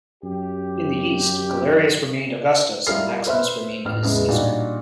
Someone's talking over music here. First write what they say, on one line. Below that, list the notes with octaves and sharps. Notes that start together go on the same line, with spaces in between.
In the East, Galerius remained Augustus and Maximinus remained his Caesar.
F#2 G4
G3 E4 F4 A#4 F6 C7
B4 C5 E5 F6
A1 F6
E2 C#3 E3 G#3
A#2 G3 D4 D#4 F4 F#4